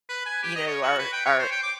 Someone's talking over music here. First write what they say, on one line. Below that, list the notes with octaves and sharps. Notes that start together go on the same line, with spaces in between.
you know, our our,
B4
G#5
G4
D#5
C#5
F#4
B4
G5
C#5
C5
G5
D6